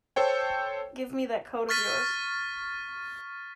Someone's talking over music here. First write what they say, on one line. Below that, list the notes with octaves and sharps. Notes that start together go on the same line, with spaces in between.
Give me that coat of yours.
A4 C5 C#5 G5
C#6 F6 A6 B6 D#7